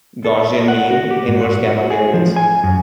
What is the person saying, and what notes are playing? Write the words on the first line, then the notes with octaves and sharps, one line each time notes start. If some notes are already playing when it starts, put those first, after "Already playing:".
Gaussian mean, inverse-gamma variance.
A4
F#5
F#4
G4
G#2
F#4
F#4
G#4
F3
G#5
F#2